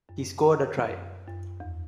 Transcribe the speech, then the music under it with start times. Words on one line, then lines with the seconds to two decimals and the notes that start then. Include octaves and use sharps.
He scored a try.
0.09 F#2
0.88 F#2
1.28 F#2
1.60 E2